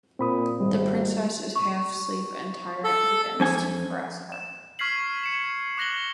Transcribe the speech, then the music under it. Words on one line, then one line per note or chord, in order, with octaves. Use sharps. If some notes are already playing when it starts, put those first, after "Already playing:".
The princess is half sleep and Tirant begins to caress her.
A#2 C4 B5 D#6
G#1 G3
C#6
A4
F2 C#4 G#5
E7
C#6 F6 G#6 B6 C7 F#7
G#6 C#7 E7
D6 F#6 A#6 F#7 G7